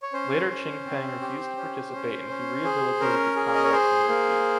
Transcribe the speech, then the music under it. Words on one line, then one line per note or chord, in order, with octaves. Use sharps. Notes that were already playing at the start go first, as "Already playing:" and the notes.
Later Ching Peng refused to participate and he rehabilitated his comrades who were accused.
C#5
C#4 C5
C#4
C4
G4
C#4
C#4
C#4
G#4
C#4 A#4
G#4
D#5
C#5
G#4 C5
A#3